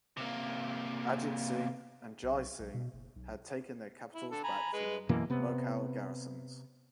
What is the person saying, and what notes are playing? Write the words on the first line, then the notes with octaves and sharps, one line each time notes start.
Ajit Singh and Jai Singh had taken their capitals back from the Mughal Garrisons.
C3 A#3
B1
B1
B2
F#1
B1
E4
D3 A4
G#5 A#5 B5
G#3 B4
F#2 B2 E3 A#3
C3 B3